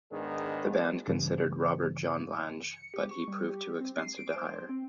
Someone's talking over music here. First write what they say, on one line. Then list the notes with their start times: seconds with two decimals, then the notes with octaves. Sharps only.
The band considered Robert John Lange, but he proved too expensive to hire.
0.11 G#2 D#3 B3 D4 G#4
1.08 G2 C#3 E3
2.67 C#7
2.94 G4
3.11 C#6
3.28 G3
3.50 G4
3.80 C4
3.98 C7
4.17 D7
4.36 C5
4.69 C4